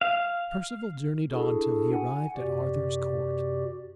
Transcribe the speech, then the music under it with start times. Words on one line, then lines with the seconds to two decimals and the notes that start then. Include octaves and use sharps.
Perceval journeyed on till he arrived at Arthur's court.
0.01 F5
1.32 D4 E4 F#4 G#4 A4
1.93 F#5 G#5
2.36 F#2 C3 F#4 G4 D5